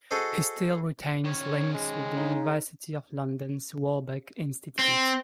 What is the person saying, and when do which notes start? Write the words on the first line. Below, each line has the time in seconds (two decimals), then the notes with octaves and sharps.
He still retains links with the University of London's Warburg Institute.
0.11 F#4 G#4 A4 C5 D#5
1.25 D#3 C#4 C#5
1.73 G#3
2.17 C#3 D#4
4.79 C4